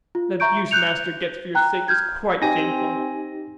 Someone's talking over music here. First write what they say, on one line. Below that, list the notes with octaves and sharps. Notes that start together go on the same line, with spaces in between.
The abuse master gets for your sake is quite shameful.
F4
E5 A#5 C#6 G6 D7
F#6 G6 C#7 F7
G5 A#5 F#6
F6 G6 G#6
C4 D#4 G4 G#5 A#6